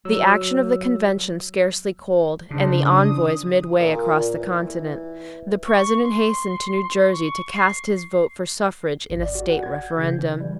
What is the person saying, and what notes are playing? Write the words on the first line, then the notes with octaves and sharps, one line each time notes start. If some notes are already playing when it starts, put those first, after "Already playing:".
The action of the convention scarcely cold, and the envoys mid- way across the continent, the President hastened to New Jersey to cast his vote for suffrage in a state referendum.
F#3 E6
C#3 D4 C5
D#6
A#2
E3
C#6
C6
C#6
C7
G#1
D5
F#4
F#5
G#6
G6
C#3
E3
G3